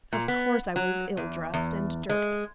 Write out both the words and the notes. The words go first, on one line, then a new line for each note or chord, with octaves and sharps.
Of course I was ill-dressed and dirty.
A#2
B3
F#3
E2
E2
G#3